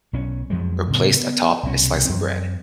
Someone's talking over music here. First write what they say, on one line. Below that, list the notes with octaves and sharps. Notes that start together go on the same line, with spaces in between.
or placed atop a slice of bread."
B1 C#4
F2 F3 F#3 G#3
A2 C#3 B3
B3
C2 B2 C#4
F#2 C4